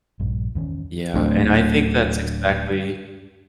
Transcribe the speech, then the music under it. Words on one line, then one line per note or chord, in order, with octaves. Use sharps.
Yeah, and I think that's exactly
A#1 G2
E2 D#3 C#4
D1 D2